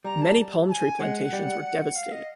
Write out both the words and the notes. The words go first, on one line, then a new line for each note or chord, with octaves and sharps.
Many palm tree plantations were devastated.
G3 A#5
A5
A5
G#5
G#3 F#5
G3
F5
D#5